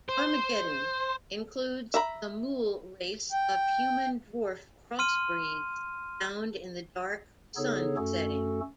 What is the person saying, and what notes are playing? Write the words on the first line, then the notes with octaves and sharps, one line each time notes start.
"Armageddon" includes the mul race of human-dwarf crossbreeds found in the "Dark Sun" setting.
C5
E5 A#5 B5
G5
C6 F6 D#7
C#3 B3 D#4 G#4 A4 C#5
F#2 A3 C#4 F#4 A4